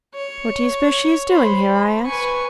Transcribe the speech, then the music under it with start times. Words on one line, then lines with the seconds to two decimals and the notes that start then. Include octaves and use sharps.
"What do you suppose she is doing here?" I asked.
0.14 C#5
1.29 C5 B5
2.06 B4 G#5 C#6